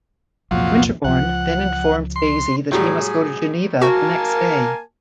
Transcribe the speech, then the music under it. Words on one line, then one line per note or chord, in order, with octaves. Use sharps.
Winterbourne then informs Daisy that he must go to Geneva the next day.
C2 F2 A#2 F3 F#3
C#2 F3 F#5
C6
A2 F#3 G3 G#4
A#3 F#4 A#4 G#5 A5